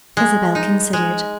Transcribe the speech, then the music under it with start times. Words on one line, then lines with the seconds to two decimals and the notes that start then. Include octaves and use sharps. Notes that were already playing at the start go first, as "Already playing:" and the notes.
Isabel considered.
0.17 G#3
0.55 D#4
0.93 G#3